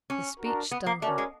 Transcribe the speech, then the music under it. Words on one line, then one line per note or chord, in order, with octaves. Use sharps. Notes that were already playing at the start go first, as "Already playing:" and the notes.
The speech stung her.
C#4
D4 F#4 A#4
B3
A#3
A3 C#4 F#4 A#4 D5
G#3